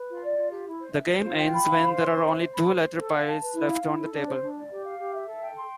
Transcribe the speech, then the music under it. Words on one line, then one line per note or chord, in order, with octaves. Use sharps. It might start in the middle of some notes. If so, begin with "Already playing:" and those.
The game ends when there are only two letter piles left on the table.
Already playing: B4
F4
D5
F4
G4
E4
C5
E5
C5
F4
G5
B5
F5
C5
C6
C5
E5
C5
B5
C5
C5
A4
F5
A5
B4
E4
F5
E4
A4
D4
C5
D4
D5
G4
F5
G4
E5
A4
G5
C6